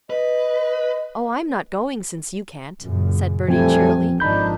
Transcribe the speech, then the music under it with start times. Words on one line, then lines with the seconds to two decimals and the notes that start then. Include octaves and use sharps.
"Oh, I'm not going since you can't," said Bertie cheerily.
0.10 B4 D#5
2.82 F#2 A#2 C#3
3.48 F2 E3 F3 G3 A3 C4 G#5
4.20 G#1 D#3 F3 D4 D#4 B5 G6